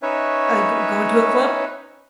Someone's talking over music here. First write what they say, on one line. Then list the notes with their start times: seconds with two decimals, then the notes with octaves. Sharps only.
Uh, g going to a club?
0.03 C#4 D#4 B4 C#5 E5